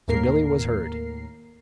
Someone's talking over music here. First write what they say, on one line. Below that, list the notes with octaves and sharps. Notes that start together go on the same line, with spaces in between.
So Billy was herd.
D#2 A2 A#3 A#4 C7